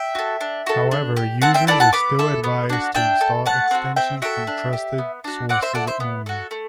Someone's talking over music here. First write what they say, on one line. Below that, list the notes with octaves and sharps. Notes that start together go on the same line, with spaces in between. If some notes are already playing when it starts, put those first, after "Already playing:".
However, users are still advised to install extensions from trusted sources only.
Already playing: E5 G5
F#4 A4
D4
F#4 A4
D4
G4
C4 F#5 A5
E5 G5
E4 A4 D5 F#5
F#5 A5
B3 B5 D6
E4 A4
B3
D4 F#4
D4 E5 G5
A4
A3 F#5 A5
C4 F#4
C4 E5 G5
F#4 A4 E5 G5
D4
G4
B3
D4 F#4
C4 D5 F#5
C5 E5
E4 A4 D5 F#5
C5 E5
B3
F#4 A4
A3